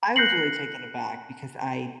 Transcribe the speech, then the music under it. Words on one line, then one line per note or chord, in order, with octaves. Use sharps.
I was really taken aback, because I
F#6 G6 A#6 C7 C#7 F#7